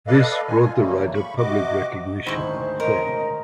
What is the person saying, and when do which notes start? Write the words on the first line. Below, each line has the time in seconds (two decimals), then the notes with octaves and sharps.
This brought the writer public recognition and fame.
0.07 A4 B4 D5 D#5 F5
0.47 F4 G#5
0.77 C#3 F#3 G3 A3 A#3
1.14 B5 C#6
1.37 C3 F#4 D#5 D6
2.27 D2 G#2 D#3 E4 C5 C#6
2.80 A#4 C#5 D#5